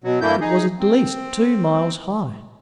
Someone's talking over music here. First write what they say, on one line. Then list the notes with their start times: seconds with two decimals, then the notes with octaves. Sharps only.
It was at least two miles high.
0.04 B2 F#3
0.21 G2 E3 A3 A#3 E4 G6
0.41 D#4 G#4
0.79 C4